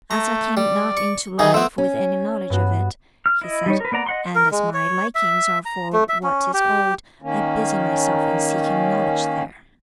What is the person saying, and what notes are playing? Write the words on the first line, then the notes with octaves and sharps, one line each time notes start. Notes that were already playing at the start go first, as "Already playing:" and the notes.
"As I came not into life with any knowledge of it," he said, "and as my likings are for what is old, I busy myself in seeking knowledge there."
A3 A#5
G3 D5
C#6
D#3 E3 D#4 G#4
A3 B3 C4
C#4
G2 B3 F#4
F6
E4 D#5
G3 D#4 C#5
A#4 B4
A#3 B3 D5 A#5
D#5 F#5 C6
A#4
G#3
C#5
E5
A#5
A3
E5
C#4
G4
D#3 A#3 C#4